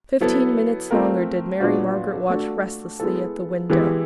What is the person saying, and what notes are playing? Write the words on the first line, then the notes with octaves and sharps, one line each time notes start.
Fifteen minutes longer did Mary Margaret watch restlessly at the window.
F#3 B3 E4 A4
A3 C4 F4 A#4
A#2 F#3 B3 D4 F#4
A3 D4 F#4 A4
G#3 B3 E4 A4
E3 G#3 B3 E4 G4